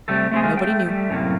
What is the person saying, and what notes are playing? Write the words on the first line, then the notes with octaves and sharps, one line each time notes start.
Nobody knew.
C3 G3 A3 A4
A3 C4 G#4
G#3 A3 F4
A3 G5
G3 A3
F#2 A2 C3 A#3